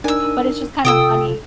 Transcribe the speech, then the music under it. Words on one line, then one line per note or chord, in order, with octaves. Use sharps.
But it's just kinda funny.
D4 D#4 A#4 G#5 E6
C3 F4 A4 G5 D#6 E6